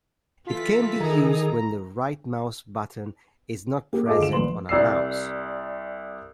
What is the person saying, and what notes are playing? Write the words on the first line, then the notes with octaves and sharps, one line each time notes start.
It can be used when the right-mouse button is not present on a mouse.
E3 F4 A4 B6
D#3 G#4 A#5
A#3 G4
F4 G#4 A4 D#5 F5 D6
D2 D7 E7
D#1 A#1 B4 C6 F#7
C2 D5 E6 C7